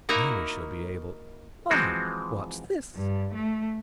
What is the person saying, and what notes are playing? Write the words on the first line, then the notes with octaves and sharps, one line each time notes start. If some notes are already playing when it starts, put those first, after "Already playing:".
"Now we shall be able--Why, what's this?"
A#3 D#4 E4 F#4 A#4 A#5
E3 F3 G#3 C4 F#4
G2
A3